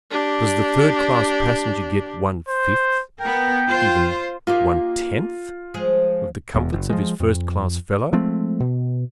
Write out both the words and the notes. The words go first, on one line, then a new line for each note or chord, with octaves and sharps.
Does the third class passenger get one-fifth, even one-tenth, of the comforts of his first class fellow?
D4 G4
C5
B3 A#4 G5
F4 C5
A#3 D#4 F4 G4
F3 G#3 G#4
E1 E2
F#1
F3 G#3
F2
F3 G#3 A3 C4
B2